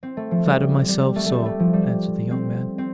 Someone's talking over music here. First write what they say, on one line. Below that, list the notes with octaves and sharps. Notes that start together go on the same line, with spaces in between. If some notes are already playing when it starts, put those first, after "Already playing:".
"I flatter myself so," answered the young man.
C4
A3
F3
G3
G3
A3
G3 A3
A3
F3
G3
C4
C4